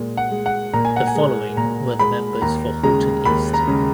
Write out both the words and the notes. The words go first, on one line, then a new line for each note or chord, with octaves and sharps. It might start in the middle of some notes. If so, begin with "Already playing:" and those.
The following were the members for Halton East.
Already playing: A#2 G#3
F#5
G#3
F#5
A#2 A#5
G#5
F#5
G#5
G#3
A#2 A#5
G#3 B5
D#2 A#5
C#3 G#3 A#5
D#2 B5
A#5
C#3 G#3